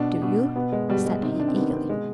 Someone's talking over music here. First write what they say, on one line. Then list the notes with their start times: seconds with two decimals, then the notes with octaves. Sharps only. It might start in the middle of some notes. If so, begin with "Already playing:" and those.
"Do you?" said he eagerly.
Already playing: B2 D4
0.22 B2
0.55 B2 B3
0.72 G#3
0.89 B2 G3
1.06 G#3
1.22 C3 D#3 C4
1.31 D#4
1.40 D4
1.48 C4
1.56 C3 D#3 B3
1.73 C4
1.89 B2 G#3